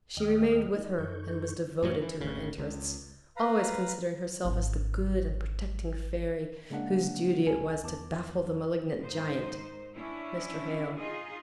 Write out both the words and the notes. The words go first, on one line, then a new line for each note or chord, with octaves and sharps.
She remained with her, and was devoted to her interests; always considering herself as the good and protecting fairy, whose duty it was to baffle the malignant giant, Mr. Hale.
D#2 D#3 D#5 G5 D#6 F6
D#4 E4 D5 D#5
F#2 D#4 A4 C#6 G6
F#2 A2 F#3
E3
G#1 D2 C#3
C#2
B4 F5 A#5 B5
G#1 D#4
C#3 G#3 A#3 D4 F#5
C2 A#4 G#5
E2 A5 D6
G#2 D#3 D#4 C5
C#4 D4 E4
D#4 F4 G#4 D#5